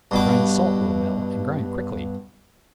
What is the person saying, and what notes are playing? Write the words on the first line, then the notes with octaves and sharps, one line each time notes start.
"Grind salt, Little Mill, and grind quickly!"
G2 B2 D6